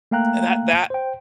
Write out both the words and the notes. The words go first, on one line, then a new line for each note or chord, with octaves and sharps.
and that that
A3 A#3 F5 G5 A#5 F#6
C5 G5